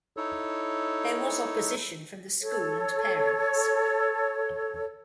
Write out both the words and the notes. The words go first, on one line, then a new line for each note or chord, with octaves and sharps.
There was opposition from the school and parents.
D#4 E4 A4 C#5
A4 C#5